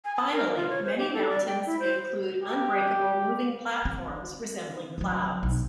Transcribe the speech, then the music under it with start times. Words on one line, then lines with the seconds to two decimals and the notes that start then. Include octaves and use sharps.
Finally, many mountains include unbreakable moving platforms resembling clouds.
0.05 G#5
0.16 A5
0.33 A#4
0.56 F4
0.70 C#5
0.84 C5
0.98 G4
1.14 A4
1.29 D5
1.47 G5
1.66 E4
1.80 C5
2.44 G4
3.85 C4
4.98 C#3 F#3
5.43 B1